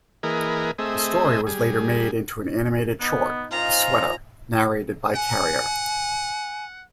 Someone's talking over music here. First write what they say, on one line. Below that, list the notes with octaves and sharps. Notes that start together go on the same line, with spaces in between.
The story was later made into an animated short, "The Sweater", narrated by Carrier.
E3 A#3 G#4 A#4 B4 D#5
A3 C4 G#4 D#5 E5
G3 G#4
B3 D#4
F3 C#4 D#4 F4 A#5
F#5 G#5